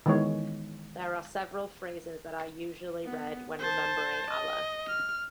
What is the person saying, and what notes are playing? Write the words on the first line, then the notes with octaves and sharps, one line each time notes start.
There are several phrases that are usually read when remembering Allah.
D#3 E3 G#3 B3 C#5
B3
C5 A5
D#5
F6